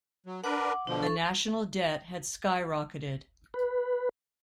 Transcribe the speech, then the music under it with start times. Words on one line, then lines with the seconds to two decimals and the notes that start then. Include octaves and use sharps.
The national debt had skyrocketed.
0.26 F#3
0.44 D4 A#4 B4 F#5 D6
0.87 B2 D3 F3 D4
1.03 A4 C#6
3.54 B4